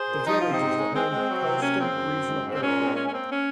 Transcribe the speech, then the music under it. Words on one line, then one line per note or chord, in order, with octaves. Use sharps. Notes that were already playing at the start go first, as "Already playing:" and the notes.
The village is the home of Pellston Regional Airport.
Already playing: G#4 C5
A#2
F3 D#4
C3 F4
C4 D#4
G#2
G#3
G#3 C4
G#3
F#3
C3
A#3 C#4
C#3 C4
F#2
F#2
G#3
G#2
C4
A#2 C#4
G#3
C4
A#3 C#4
C#4
A#3 C4
C#4